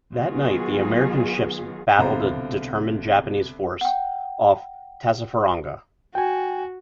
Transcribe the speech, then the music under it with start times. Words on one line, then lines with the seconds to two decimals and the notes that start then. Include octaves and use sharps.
That night, the American ships battled a determined Japanese force off Tassafaronga.
0.13 D#3 F#3 B3 F4 F#4 G#4
1.98 C2 B2 D3 F4 C5 A#5
3.81 F#5 G5
6.15 F#4 G5 G#5